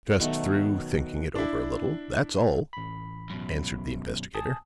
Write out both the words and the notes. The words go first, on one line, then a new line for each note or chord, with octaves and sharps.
"Just through thinking it over a little, that's all," answered the investigator.
B2 D#3 F#3 A3
D4 E4
A1 B5
F#2 B2
G#5 A5 D#6